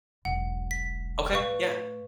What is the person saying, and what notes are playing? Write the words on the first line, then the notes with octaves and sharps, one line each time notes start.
Okay. Yeah.
E1 B1 F#5
B6
A2 B4 F5 C#6